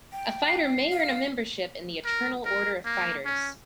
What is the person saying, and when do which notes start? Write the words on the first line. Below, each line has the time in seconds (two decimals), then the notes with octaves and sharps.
A fighter may earn a membership in the Eternal Order of Fighters.
0.12 G5
0.48 C7
0.91 F5
2.05 A#4
2.46 A#4
2.85 A#3
3.25 C#4